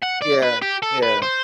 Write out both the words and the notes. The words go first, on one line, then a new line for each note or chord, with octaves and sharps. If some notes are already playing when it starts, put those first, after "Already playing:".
Yeah. Yeah.
F#5
D5
B4
G4
A4
B4
C5